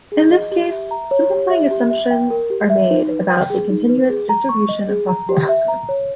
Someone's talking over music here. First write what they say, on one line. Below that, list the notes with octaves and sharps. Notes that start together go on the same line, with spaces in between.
In this case, simplifying assumptions are made about the continuous distribution of possible outcomes.
G#4
D#5
G4
E5
A#5
C#5
G4
E5
G4
E5
G5
A#4
G4
E5
D#4
B4
G5
G#4
D#4
B4
G#4
A#5
C#6
D#5
G#4
A#5
G4
E5
A#5
C#5